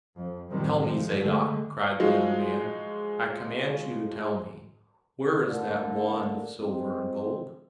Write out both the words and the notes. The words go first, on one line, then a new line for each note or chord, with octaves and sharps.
"Tell me, Zadok," cried the young man; "I command you to tell me, where is that wand of silver and gold?"
F2
F#2 A2 C3 D#3 F3 G3
F3 G#3
D3 G#3 A3
F3 F#3 G#3 D#4 F4 F#4
A2 D3 A#3
F2 G#2 C3 G#3 C4